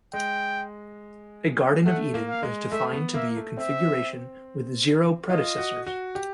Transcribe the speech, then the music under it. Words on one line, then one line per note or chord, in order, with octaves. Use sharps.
A Garden of Eden is defined to be a configuration with zero predecessors.
G#3 G5
A3 F#5
A#3
F5
G#3
A3 E5
B3
A#3 E5
A3
C4 E5
F4 D#5
F#4
F#4
G4